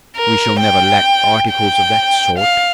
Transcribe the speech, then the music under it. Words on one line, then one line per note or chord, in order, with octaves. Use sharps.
"We shall never lack articles of that sort."
A#4
G5
G5
F5